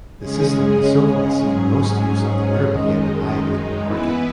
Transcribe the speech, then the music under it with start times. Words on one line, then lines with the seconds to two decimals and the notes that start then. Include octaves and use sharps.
The system has so far seen most use on the European high end market.
0.19 C#3 G#3 C#4 G#4
1.39 G#2 F#3 C#4 G#4
2.61 F#2 D#3 G#3 D#4
3.83 E3 B3 E4 B4